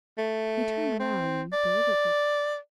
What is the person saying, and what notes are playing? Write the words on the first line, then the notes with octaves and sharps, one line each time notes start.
He turned round deliberately.
A3
C4
D5